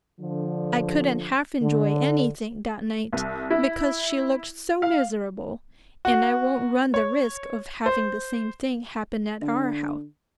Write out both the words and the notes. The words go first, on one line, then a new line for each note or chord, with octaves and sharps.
I couldn't half enjoy anything that night, because she looked so miserable; and I won't run the risk of having the same thing happen at our house.
D3 F3
D3
C2
E4
F5
F#4
C#5
C5
D3